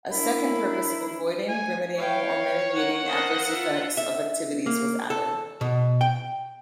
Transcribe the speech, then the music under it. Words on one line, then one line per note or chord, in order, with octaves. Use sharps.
A second purpose of avoiding, remedying or mitigating adverse effects of activities was added.
D4 E4 A#4 B5
G#5
E4 C#5 F5 G5
A#4 F#5
A#4 C5 D#5 F5
F4 E5
E5
A#3
A4
B2
G5